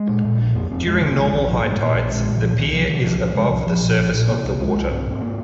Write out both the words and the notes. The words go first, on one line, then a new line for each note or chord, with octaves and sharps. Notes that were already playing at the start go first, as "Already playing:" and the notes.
During normal high tides the pier is above the surface of the water.
Already playing: G#3
A#2
A#2
A#1
F2 A#3
F1 C4
F1 G#3
C3 D#3
A#3
A#1 G#3
A#1 D#3
G#2 F3
G#2 A#3
G#3
A#2 A#3
A#1
A#2 G#3
A#2
D#3
C2 F3
C2 D#3
C3 F3
C3 D#3
C2 F3
C3 F3
C3 G#3
C2 F3
A#1 F3
A#2
A#1
A#2
C3 A#3
C2
C2 G#3
C2
G#2 C4
G#2 C4
A#3